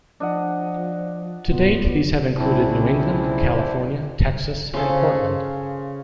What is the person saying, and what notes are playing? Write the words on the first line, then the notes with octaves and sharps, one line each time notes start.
To date these have included New England, California, Texas, and Portland.
F3 D4 D#5 F#5
F#2 B2 B3 F4
B1 C#3 G#3 C4 D4 E4
C#3 F4 G#4 A4 C5